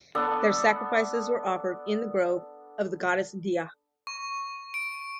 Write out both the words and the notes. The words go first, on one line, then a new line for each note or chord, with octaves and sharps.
Their sacrifices were offered in the grove of the goddess Dia.
B3 D4 A4
C#6
D7